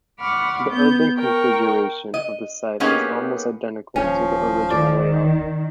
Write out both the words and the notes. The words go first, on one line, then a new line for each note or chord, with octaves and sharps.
The urban configuration of the site is almost identical to the original layout.
F#5 B5 C#6 D6 F6
B3 G6
A#4 G5 C#6
D#5
A#3 B3 C#4 D#4 G4 G#4
D#1 F3 C#4
D#3 D5